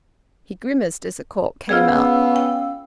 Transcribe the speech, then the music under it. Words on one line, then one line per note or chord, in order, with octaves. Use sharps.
He grimaced as the cork came out.
B3 C#4 F4 G#4 F5 E6
G5